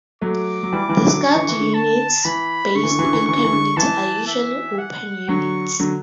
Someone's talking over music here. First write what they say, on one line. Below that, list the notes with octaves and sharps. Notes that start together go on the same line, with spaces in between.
The Scout units based in community are usually open units.
F#3 A3 D6
F#3
E3 G3
E3 G3
D3 F#3
D3 C#6
E3
D3
E3
D3
A5
E3 B5
D3 C#6
E3
D3
E3
D3
E3
D3
E3 C#6
D3
E3
D3
E3 A5
E5
F#5
D3 F#3 C#6
D3 F#3